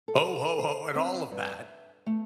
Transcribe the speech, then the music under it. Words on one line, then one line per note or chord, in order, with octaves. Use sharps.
"Ho! Ho! Ho!" and all of that,
A4
C5
C4
G2
E5
A3